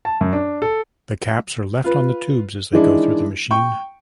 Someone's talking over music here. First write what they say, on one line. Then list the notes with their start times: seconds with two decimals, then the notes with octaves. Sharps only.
The caps are left on the tubes as they go through the machine.
0.05 A5
0.21 F#2
0.33 D4
0.62 A4
1.84 F4 B4
2.73 D#3 E3 G#3 D4 E4
3.51 G5 C#6